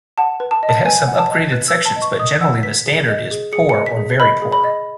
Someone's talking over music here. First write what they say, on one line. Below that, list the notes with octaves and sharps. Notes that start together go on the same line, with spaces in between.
It has some upgraded sections, but generally the standard is poor or very poor.
F#5 A5
B4
A5
D#5
A5
B4 G#5
F#5
A5
D#5
B4 F#6
E6
B4
A5
D#5
C#6
D#5 D#6
F#5 E6
B4 B6
G#4
D#5
G#4
G#4 C#7
C#7
D#5
B6
G#4
D#5 B5
G#4
B5
D#5